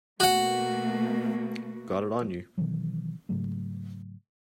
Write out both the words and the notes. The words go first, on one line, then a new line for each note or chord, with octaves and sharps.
Got it on you?
B2 A3 A#3 F#4 F#5
B2 D#3 E3 F#3
G#2 C#3 F#3 A3